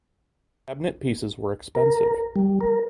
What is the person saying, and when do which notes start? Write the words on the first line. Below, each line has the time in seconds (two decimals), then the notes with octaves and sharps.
Cabinet pieces were expensive.
1.75 A#4
2.36 G3
2.61 A#4